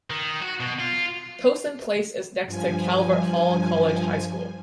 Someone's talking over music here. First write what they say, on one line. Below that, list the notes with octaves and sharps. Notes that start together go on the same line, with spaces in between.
Towson Place is next to Calvert Hall College High School.
D#3
F#4
B2
F4
G2 F3 G#5